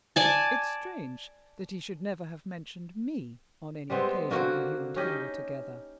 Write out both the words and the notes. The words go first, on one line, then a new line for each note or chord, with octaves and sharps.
"It's strange that he should never have mentioned me, on any occasion when you and he were together."
D5 G#5 A5
G3 G#3 B3 C4
D3 A#3 C4 F#4
C#4 D#4 G4 D#5